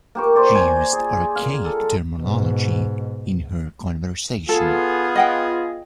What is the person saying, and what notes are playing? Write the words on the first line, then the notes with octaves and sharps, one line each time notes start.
She used archaic terminology in her conversation.
A#3 G4 C#6
C5 D5 C#6
G#5
G#4
F5
A4
G#2 B2
B3 F4 G#4 A4
D#5 F#5 G5